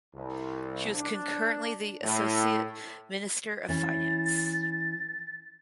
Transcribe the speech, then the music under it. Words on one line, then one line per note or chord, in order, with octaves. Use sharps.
She was concurrently the associate minister of finance.
C2
D4
A2
E3 C#4 A6